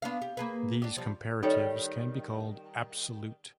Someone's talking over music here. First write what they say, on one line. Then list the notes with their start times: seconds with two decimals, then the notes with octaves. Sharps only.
These comparatives can be called "absolute".
0.02 B3 D4 F5
0.22 G4
0.37 A#3 G#4 B4
0.82 D4 G4
0.97 F3 G3
1.43 D#3 G3 D#4 A4 C#5